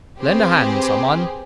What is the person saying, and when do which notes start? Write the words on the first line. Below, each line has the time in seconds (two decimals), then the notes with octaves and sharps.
Lend a hand, some one.'
0.20 C4 G4 G#4 B4 C5